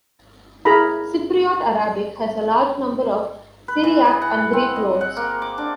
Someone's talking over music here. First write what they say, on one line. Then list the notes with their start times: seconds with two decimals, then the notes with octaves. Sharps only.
Cypriot Arabic has a large number of Syriac and Greek loans.
0.65 E4 G#4 A#4 A#5 B5
3.68 B4
3.84 E3
4.05 G#4
4.22 F#5
4.53 C4
4.76 D#5
5.01 F#5
5.17 A#3
5.42 D6
5.58 D4